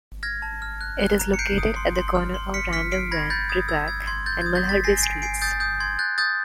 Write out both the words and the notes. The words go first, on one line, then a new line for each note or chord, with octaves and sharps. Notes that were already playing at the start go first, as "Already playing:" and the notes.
It is located at the corner of Random van Riebeck and Malharbe streets.
F6 G#6 A#6
A5
F6
F#6
F#6
A#5
C#7
G6 C7 D7
D#6
C6
C6
F6
C6
F6 B6 C#7
F6 B6 C#7
F6 C7 D7
B5 G#6 A#6
B5 G6 A6
D#6 G#6
E6 G#6
E6 G#6
C6 G#6
G6 A6
G#6
D#6
G6 A6
C6 A6 B6
G#5 A#6 C7
G#5 C7 D7
G#5 C7 D7
D#6 G6 A6
D#6 G6
C6 G#6
F#6 G6 A6
D#6 G6 A6